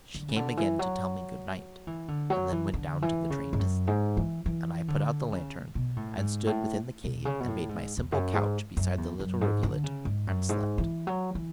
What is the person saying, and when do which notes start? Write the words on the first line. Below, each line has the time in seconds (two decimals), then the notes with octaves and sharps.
She came again to tell me good-night, and then went down to the train to sleep; and I put out the lantern, and stooped within the cave, and made my simple couch beside the little rivulet, and slept.
0.15 D3
0.28 C#3
0.36 D3
0.57 E3
0.79 F#3
1.87 E3
2.08 D3
2.30 F#3
2.52 E3
2.74 D3
3.02 E3
3.30 C#3
3.53 G#2
3.59 F#2
3.87 G#2
4.17 E3
4.46 E3
4.88 D3
5.32 C#3
5.75 B2
5.96 A2
6.17 G#2
6.47 A2
7.04 B2
7.25 C#3
7.40 B2
7.48 A2
7.69 G#2
7.97 E2
8.12 F#2
8.34 G#2
8.77 F#2
8.98 E2
9.20 F#2
9.41 G#2
9.63 D3
9.84 C#3
10.05 G#2
10.27 F#2
10.49 G#2
10.78 E3
11.07 F#3
11.35 E3